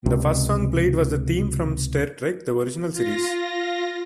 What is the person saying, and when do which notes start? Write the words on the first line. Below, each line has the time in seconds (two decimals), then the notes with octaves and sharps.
The first song played was the "Theme from Star Trek, the Original Series".
0.06 C#2 C3
2.92 F4 A#6